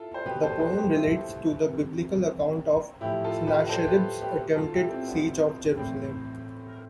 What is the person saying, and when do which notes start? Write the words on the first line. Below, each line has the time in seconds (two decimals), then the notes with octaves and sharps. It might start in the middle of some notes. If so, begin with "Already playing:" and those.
The poem relates to the Biblical account of Sennacherib's attempted siege of Jerusalem.
Already playing: E4 F4 A4
0.14 C5
0.25 B2 G4 B4
0.43 A4 C5
0.60 A4 C5
0.77 G4 B4
0.95 E4 G4
1.63 C3 E3
3.01 A2 F3 E4 G4
3.24 F4 A4
3.47 G4 B4
3.69 A4 C5
3.88 G4 B4
4.21 G4 B4
4.38 B2
4.55 F4 A4
4.74 E4 G4
4.90 C4
5.08 B3 D4
5.77 A2 E3 C4